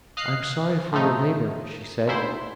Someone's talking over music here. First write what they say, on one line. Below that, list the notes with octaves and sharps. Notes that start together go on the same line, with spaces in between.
"I am sorry for your labor," she said.
D#5 F5 F#6 C7
A2 F3 A3 D#4
D2 G#2 E4 C5